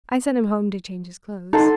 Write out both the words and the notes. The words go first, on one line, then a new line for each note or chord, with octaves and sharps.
I sent him home to change his clothes...
D#4 A4 F#5 C6